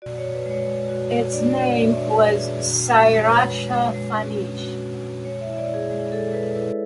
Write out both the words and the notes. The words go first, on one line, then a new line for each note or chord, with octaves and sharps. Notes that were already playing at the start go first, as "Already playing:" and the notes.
Its name was "Si Racha Phanich".
F#4 D5
C#5
F#4
B4
G#3 C#5
G#3
F#4
F#4
D4 D5
D5
G#3
D5
F#4
E5
G#3 C#5
B4
G#3
G#4
D4
F#4
G#3
G#3
C#5
G#3 B4
G#3
G#3
G#3
C#4
G#3
F#4
G#3
G#3
G#3 C#5
E5
E4
E5
D5
E4
G#4
G#3 G#4
G#3 A4
G#3 B4
E4 B4